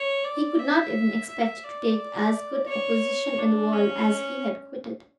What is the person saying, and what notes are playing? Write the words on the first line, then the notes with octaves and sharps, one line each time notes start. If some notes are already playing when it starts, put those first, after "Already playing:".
He could not even expect to take as good a position in the world as he had quitted.
Already playing: C#5
D5
E5
E5
D5
C#5
D4
C#4